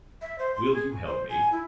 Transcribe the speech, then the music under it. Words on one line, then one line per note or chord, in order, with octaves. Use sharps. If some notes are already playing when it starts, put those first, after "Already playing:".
Will you help me?
E5
C5
C6
G#4
G#5
C5
G#5
E4